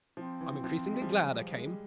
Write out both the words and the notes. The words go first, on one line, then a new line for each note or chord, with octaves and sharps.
I’m increasingly glad I came.
F3 C4
E3
F3
G#3
G3
F3
G3
G#3
G3